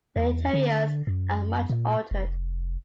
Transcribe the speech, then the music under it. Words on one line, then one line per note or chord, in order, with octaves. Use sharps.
The interiors are much altered.
E2
D3
F#2
A#2
F1